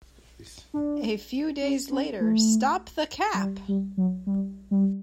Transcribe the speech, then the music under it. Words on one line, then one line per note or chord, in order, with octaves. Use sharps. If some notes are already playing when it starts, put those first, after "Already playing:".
A few days later, Stop The Cap!
D4
C#4
C#4
A3
F#3
G3
G3
F#3
G3
G3